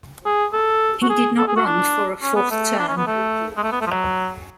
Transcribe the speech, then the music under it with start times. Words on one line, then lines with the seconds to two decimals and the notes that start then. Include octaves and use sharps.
He did not run for a fourth term.
0.26 G#4
0.53 A4
1.02 F#4
1.09 G#4
1.38 A4
1.47 G#4
1.56 F#4
1.66 D4
2.22 C#4
2.36 B3
2.51 A3
2.79 D4
2.88 C#4
2.97 B3
3.07 A3
3.57 G#3
3.63 A3
3.72 B3
3.81 A3
3.87 F3
3.91 F#3